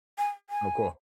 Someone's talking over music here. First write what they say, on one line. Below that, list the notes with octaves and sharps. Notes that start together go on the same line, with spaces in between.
Oh, cool.
G#5
G#5